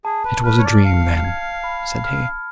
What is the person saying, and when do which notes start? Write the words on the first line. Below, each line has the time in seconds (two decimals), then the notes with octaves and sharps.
'It was a dream, then,' said he.
0.05 G#4 A5
0.25 B4
0.44 B4 F6
0.59 C#5
0.64 D5
0.84 F5 C#7
1.25 G#6
1.64 B5
2.04 F6